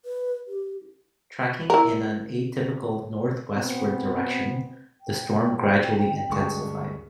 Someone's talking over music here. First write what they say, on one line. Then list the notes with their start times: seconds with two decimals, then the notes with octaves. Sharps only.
Tracking in an atypical northwestward direction, the storm gradually intensified.
0.05 B4
0.48 G4
1.70 E4 A#4
3.55 B2 B3 C4
5.00 G5
6.30 D2 G2 G#3 G#4 C#6